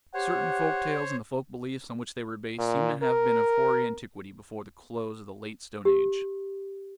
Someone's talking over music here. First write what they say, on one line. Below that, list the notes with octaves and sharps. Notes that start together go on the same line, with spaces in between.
Certain folk tales, and the folk beliefs on which they were based, seem to have been of hoary antiquity before the close of the Late Stone Age.
G4 C5 C#5 F#5
A#2
A#4
G4